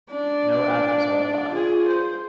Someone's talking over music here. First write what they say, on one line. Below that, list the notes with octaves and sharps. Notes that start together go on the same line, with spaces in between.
No atoms are alive.
D4 D5
F4 G#4
C5